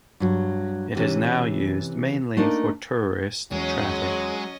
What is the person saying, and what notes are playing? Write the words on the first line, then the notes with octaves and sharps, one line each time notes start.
It is now used mainly for tourist traffic.
G2 F#3
C3 E3 C#4
A3 A#3 D4 D#4 A#4
E2 F#3 G#3 C#4 D#5